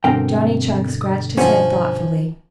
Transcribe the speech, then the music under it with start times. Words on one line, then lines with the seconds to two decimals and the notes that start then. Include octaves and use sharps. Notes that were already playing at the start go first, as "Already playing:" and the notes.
Johnny Chuck scratched his head thoughtfully.
0.04 G2 B2 D3 C4 A#4 G5
1.37 F3 C#4 C5 F#5 G#5